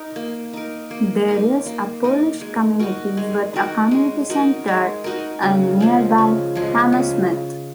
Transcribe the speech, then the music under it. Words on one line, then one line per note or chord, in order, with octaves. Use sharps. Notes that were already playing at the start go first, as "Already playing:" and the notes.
There is a Polish community, with a community centre in nearby Hammersmith.
Already playing: D#4 A#4
A#3
D#4 A#4
A#3
D#4 A#4
A#3
D#4 A#4
G#3
D#4 F#4 A#4
G#3
D#4 F#4 A#4
G#3
D#4 F#4 A#4
G#3
D#4 F#4 A#4
C#3
F3 G#3
C#3
F3 G#3
C#3